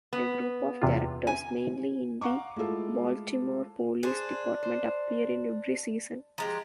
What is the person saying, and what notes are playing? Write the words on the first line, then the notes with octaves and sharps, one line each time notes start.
A group of characters, mainly in the Baltimore Police Department, appear in every season.
B3
E2 C3 F4
G#5
F5 F#5 A#5 C#6 D6
G#3 A3 E4 F4 A4
D4 G#4 C5
C5
F3 G#3 G4 A#5